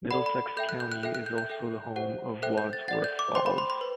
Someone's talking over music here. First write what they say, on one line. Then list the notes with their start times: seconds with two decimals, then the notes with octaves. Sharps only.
Middlesex County is also the home of Wadsworth Falls.
0.11 A4 D5 F#5 B5
0.26 B5
0.57 A4 E5 G5 G6
0.69 F#6
0.80 G6
0.92 F#6
1.03 A4 E5 G5 F#6
1.15 F#6
1.26 G6
1.38 G6
1.50 A4 E5 G5
1.96 G4 C5 F#5
2.42 A4 C5 E5 G5 F#6
2.58 G6
2.73 A6
2.88 A4 D5 F#5 A6
3.04 G6
3.19 D6
3.35 C5 G5 C6
3.46 B5
3.58 C6
3.70 C6
3.81 B4